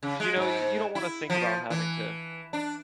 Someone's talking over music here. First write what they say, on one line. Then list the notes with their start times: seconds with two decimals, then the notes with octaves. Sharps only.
'Cause, you know, you you don't wanna think about having to
0.03 C#3
0.20 G#3
0.36 G#2
0.95 E4
1.30 F3
1.70 E3
2.53 D4